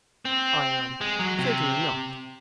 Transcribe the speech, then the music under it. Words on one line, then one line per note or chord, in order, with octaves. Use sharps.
ION: Certainly not.
C4
G#3
F#3
C3